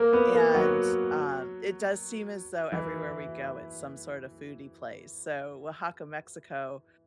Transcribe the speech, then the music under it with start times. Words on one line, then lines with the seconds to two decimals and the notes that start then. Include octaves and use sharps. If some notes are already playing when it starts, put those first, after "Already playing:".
and, um, it does seem as though everywhere we go, it's some sort of foodie place, so Oaxaca, Mexico
Already playing: A#3 A#4
0.13 B3 B4
0.33 A#3 A#4
0.54 F#3 F#4
2.72 E3 E4